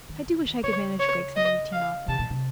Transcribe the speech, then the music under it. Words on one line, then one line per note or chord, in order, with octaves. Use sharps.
I do wish I could manage breaks in the routine oftener.
D#3
C#3
D#3
C#3 C#5
C#5
D#5
F5
C3 A5
A#2
C3